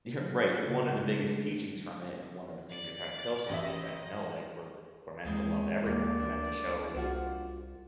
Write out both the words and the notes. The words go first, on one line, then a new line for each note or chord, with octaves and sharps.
You're right, one of the biggest teachings from it, and one of the things I tried to tell someone is that, "No, like, we're we're meant to love everyone, we're meant to show
F#3
A4
C#3
C#3
G#3
D4
A3
D5
A1 D#5 E5
D#2 E3 G#3 C4
D#2 A#3 D5
D2 D4
C2 F4 F#4 C5